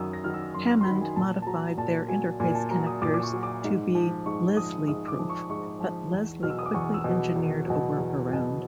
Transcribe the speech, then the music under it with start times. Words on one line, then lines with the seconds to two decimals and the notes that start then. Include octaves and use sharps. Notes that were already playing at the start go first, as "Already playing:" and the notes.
Hammond modified their interface connectors to be "Leslie-proof", but Leslie quickly engineered a workaround.
Already playing: F#2 D#3 F#3 D#6 E6
0.13 A#6
0.24 D#3 F#3 F6
0.34 E6
0.54 F#2 C6
0.69 C6
0.81 C6
0.85 F#3 B5
0.90 D#3
1.01 G#5
1.16 A#2 A5
1.42 A5
1.46 F#3 A#5
1.78 A#2 A5
2.08 F#3 G#5
2.40 A#2 G#5
2.55 A5
2.71 F#3 A#5
2.87 D#6
3.02 A#2 D6
3.14 D6
3.23 C#6
3.33 F#3
3.43 D6
3.64 G#2
3.95 F3
4.26 G#2 C#6
4.57 F3 D#6
4.88 G#2 D#6
5.08 D6
5.19 F3
5.30 C#6
5.50 G#2 C#6
5.80 F3
6.11 E2
6.43 B2 F#3 F6
6.50 E6
6.59 D#6
6.66 D6
6.74 E2 C#6
6.94 E6
7.04 B2 F#3
7.36 E2
7.67 B2 F#3
7.98 E2
8.28 B2 F#3